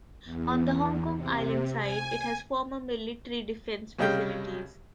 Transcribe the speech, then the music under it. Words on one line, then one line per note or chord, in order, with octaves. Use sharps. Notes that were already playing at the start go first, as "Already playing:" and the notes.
On the Hong Kong Island side, it has former military defence facilities.
E2
C3
G#5
C2 C#3 G3 D#5 F5 G5